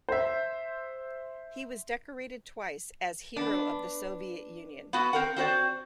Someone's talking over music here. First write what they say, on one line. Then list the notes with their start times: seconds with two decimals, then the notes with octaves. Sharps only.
He was decorated twice as Hero of the Soviet Union.
0.09 C5 E5
3.36 B3 D4
4.93 B3 F#4
5.13 C4 A#4 F#5
5.36 C4 F#4 C5 D5